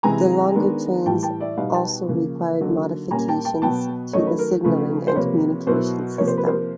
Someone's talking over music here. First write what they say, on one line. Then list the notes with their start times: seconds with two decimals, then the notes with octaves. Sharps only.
The longer trains also required modifications to the signalling and communication system.
0.03 C3 E3 G#3 C4 E4 G#5 A#5
0.55 D#3 G#3 B3 D4
1.06 A2 E3 G3 G5 A5
1.23 G5 A5
1.40 D5 E5
1.57 B2 G3 B3 D#4 D#5 F5
1.74 G5 A5
2.09 C#3 F3 A#3
2.60 D3 F#3 A#3 D#4
3.11 A#2 G3 A#3 C#4 G#5 A#5
3.28 G5 A5
3.45 G5 A5
3.62 B2 F#3 B3 G5 A5
4.13 D#3 F#3 A3 C#4 C#5 D#5
4.27 B4
4.39 A#4
4.64 C#3 F3 A3 B4
5.08 C5
5.16 C3 F3 A#3 B4 C#5
5.67 B2 F#3 B3 E4 A#4 C5
6.18 C3 F3 A#3 C#5
6.28 C5
6.37 B4
6.47 A#4 C5